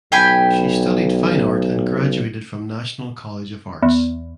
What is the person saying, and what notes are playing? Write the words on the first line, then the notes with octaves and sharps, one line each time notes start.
She studied Fine Art and graduated from National College of Arts.
B1 G5 G#5 B5
E2